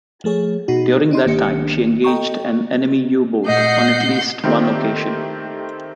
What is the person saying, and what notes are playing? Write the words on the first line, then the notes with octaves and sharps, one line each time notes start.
During that time, she engaged an enemy U-boat on at least one occasion.
F3 A3 G#4 C#5
B2 D#4 F#4
D4 D#4 C6
G#1 D#3 A#3 D4 G4 C#7
A4 D#5 G5 A#5 C#6
A#2 A3 D#5 F#5 G6 C7
D#3 A3 C4 G4